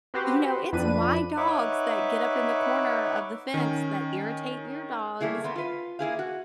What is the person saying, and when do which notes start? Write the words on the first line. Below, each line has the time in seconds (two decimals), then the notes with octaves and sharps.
you know, it's my dogs that get up in the corner of the fence that irritate your dogs,"
0.14 C4 F#4 G4 B4 C5
0.73 F2 D4 B4 D#7
1.37 D#4 B4 C#5 E5 F#5 D6
3.54 D#3 C#4
5.20 G3 A3 A#3 E4 G#4
5.44 A3 B3 C4
5.55 F4 B4
5.99 A#3 E4 G#4 F5
6.19 F#4